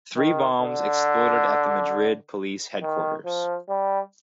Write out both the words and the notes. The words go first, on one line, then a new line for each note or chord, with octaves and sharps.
Three bombs exploded at the Madrid police headquarters.
D#3
D3
D#3
F3
G3